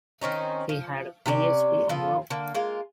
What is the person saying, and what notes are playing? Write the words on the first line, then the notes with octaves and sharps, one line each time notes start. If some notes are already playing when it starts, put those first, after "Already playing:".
He had a PhD in law.
D#3 C4 C#4 D#4
F3
C3 C#4 G#4 D5
F3 B3 F4 A4
D3 A#3
G#3 A#3 F4